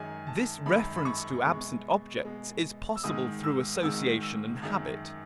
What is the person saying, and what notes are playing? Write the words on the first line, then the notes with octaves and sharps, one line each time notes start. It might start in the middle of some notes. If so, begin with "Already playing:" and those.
This reference to absent objects is possible through association and habit.
Already playing: F#2 D#3 G#3 G#5
A5
F#2 D#3 G#3 B5
B5
C#6
B2 G#3
B2 G#3
E6
G#2 D#3 G#3 D#6
E6
G#2 D#3 G#3 E6
E6
F#2 D#3 G#3